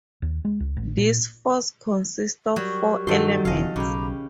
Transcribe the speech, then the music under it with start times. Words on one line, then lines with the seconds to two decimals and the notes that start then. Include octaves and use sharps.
This force consists of four elements.
0.22 D#2
0.45 G#3
0.60 C#2
0.77 A1
0.98 A#2
2.56 F#3 G3 F#4 G4 A#4 C#6
3.07 G2 D#3 F#3 A4 F#5 C6
3.45 E1 C#3 D#5 F5 G#5 A5
3.76 B1 C#3 G4 A#5 B5 D6